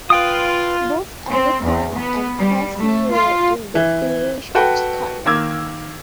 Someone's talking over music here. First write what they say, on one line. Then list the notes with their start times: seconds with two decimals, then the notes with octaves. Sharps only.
Both Abercorn and Paisley were in the peerage of Scotland.
0.10 F4 B4 G5 D#6
1.30 C4
1.64 E2
1.95 B3
2.39 G3
2.80 A3
3.13 F4
3.75 E3
4.55 F#4 A4 B4 F#5 G5
5.26 D#3 A#3 D6 E6 G#6